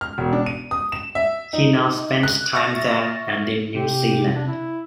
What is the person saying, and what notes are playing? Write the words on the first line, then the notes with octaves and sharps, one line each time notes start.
He now spends time there and in New Zealand.
F6
E1
D4
D#7
D#6
E7
E5
D#4
F#6
E5 C#6 F6 A6 A#6
C3 G4
D4
E4